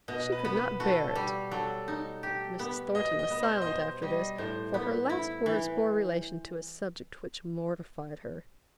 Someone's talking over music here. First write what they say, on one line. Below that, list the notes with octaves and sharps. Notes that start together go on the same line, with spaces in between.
She could not bear it.' Mrs. Thornton was silent after this; for her last words bore relation to a subject which mortified her.
B2 D#5
B4
B3
B4
F#4 A4
B4
A4
A4
G3
F#3 A4
D#4
G4
B3
B2 D#5
D#5
B3
C5
D#5
B2 C5
G3 D#5
A2 C5
B3
E4
E3